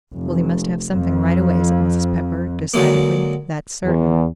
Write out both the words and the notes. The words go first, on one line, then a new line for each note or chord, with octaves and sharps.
"Well, he must have something right away," said Mrs. Pepper, decidedly. "That's certain."
F1
F2
D3 F#3 G#3 A#3
E2